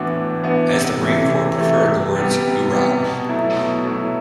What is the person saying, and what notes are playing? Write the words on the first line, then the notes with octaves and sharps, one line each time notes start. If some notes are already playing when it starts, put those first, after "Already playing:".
As the Marine Corps preferred the word Oohrah!
Already playing: A2 E3 B3 D4 F#4
A2
E3 B3 D4 F#4
C3
E3 A3
C3
E3 A3
C3
G3 B3
C3
G3 B3
B2
F#3 A3 E4
B2
F#3 A3 E4